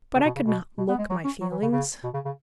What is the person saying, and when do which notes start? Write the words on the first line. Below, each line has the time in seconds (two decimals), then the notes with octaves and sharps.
But I could not look my feelings.
0.15 C#3
0.25 B2
0.36 C#3
0.46 B2
0.78 B2
0.88 B3
0.98 G#3
1.10 F#3
1.24 C#4
1.41 F#3
1.51 E3
1.62 C#3
1.72 C#3
2.03 B2
2.14 C#3
2.25 C#3